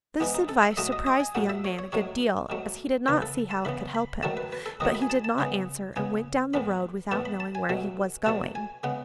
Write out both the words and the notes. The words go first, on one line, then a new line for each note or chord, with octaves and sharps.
This advice surprised the young man a good deal, as he did not see how it could help him; but he did not answer, and went down the road without knowing where he was going.
G#2 E3 G#3 B3
D#4
A4
E5
A2 F#3 A3 D#5
D#5
D#5
G#5
A2 F#3 A3 F#5
E5
C#5
C#5
G#2 F#3 A3 C#5
G#2 F#3 A3
C#3 E3 B3 B4
A4
A5
C#3 E3 B3 B5
B5
G#2 D#3 F#3 A3 A5
B4
B4
A4
G#2 D#3 F#3 A3 D#5
B5
G#5
A5
A5
C#3 G#3 B3
C#3 G#3 B3 G#5
A2 E3 B3 B5
A2 E3 B3 A5
B5
A5
G#5
B2 F#3 A3
B2 F#3 A3 A5
G#5
C#3 G#3 B3 F#5